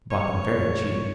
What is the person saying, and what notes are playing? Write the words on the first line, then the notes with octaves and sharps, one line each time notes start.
I bought them very cheap.
C#5
A#2